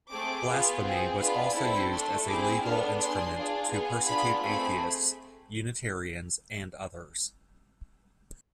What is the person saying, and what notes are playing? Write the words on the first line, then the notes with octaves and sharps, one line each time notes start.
Blasphemy was also used as a legal instrument to persecute atheists, Unitarians, and others.
A3 C4 G#4 D6
B3 F4 G#4
C4 G#4
B3 D4 F4 G#4 B5
C4 E4 A4
A3 D4 A4 C6
C4 E4 G#4 D6
B3 D4 A4 F6
D4 G#4 C6
D4 F4 G#4
B3 F4 G#4
B3 D4 F4 G#4 B5
A3 C4 G#4 B5